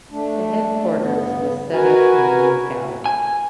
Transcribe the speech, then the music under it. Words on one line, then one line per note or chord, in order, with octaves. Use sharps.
The headquarters was set up in Yingkou.
A3 D4
G2 B3
F#4 A#4 B4 G#5
G#5